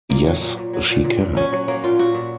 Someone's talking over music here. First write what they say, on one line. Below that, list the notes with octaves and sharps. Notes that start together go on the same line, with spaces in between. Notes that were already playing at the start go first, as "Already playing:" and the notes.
Yes she can.
A#2 A#3
F#3
A#2
A#2
F#3
A#2
A#2
A#2
F#3 C#4
F#3
F#3 A#3
A#2 F4
A#2 F#4
A#2